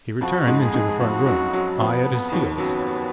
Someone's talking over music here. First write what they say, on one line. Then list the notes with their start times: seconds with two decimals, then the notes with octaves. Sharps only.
He returned into the front room,--I at his heels.
0.21 F2 F3 F#4
0.47 G#2 G#3
0.61 G#4
0.74 G#2 G#3
1.00 F2 F3 F#4
1.26 F#2 F#3
1.53 F#2 F#3
1.79 F2 F3 B3
2.31 D#2 D#3
2.58 F#2 F#3 B3